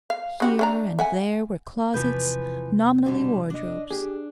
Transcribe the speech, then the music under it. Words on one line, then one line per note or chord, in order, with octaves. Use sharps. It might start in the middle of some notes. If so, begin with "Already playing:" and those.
Here and there were closets, nominally wardrobes.
F5
C#3 F#4 G4
A3 D4 A#5
E5 F#5 G#5
E2 C3 E3 F3 B4 G6
B2 D3 G3
D4 D#5
D4 G4 G#4